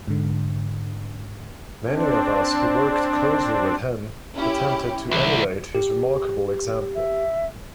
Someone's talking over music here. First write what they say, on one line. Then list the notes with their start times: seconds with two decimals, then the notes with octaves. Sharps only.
Many of us who worked closely with him attempted to emulate his remarkable example.
0.08 G#2 D3
1.87 C4 D4
4.35 C#4 E4 G4
5.11 C2 E3
5.75 G4
6.94 E5